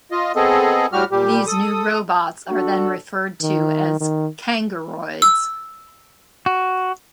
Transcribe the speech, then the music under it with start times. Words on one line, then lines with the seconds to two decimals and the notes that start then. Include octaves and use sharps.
These new robots are then referred to as 'kangoroids'.
0.11 F4 D#5
0.36 B3 C4 G#4 A4 D#5
0.93 A2 G3 F#4 G4 F6
1.11 A#2 G3 G4
1.47 A4 D#6
2.48 D4 F#4 A4
3.42 D#3
4.01 D#3
5.22 E6
6.46 F#4